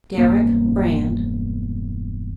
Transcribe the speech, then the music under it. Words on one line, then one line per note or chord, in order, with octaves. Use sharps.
Deryck Brand.
E1 G2 A#3